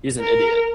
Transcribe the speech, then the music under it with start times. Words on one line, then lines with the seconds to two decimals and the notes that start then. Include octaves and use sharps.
he's an idiot.
0.21 A#4